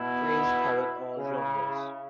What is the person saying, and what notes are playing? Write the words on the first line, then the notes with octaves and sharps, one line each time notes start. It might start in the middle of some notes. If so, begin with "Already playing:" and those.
Plays covered all genres.
Already playing: B2 E4
C#3 E4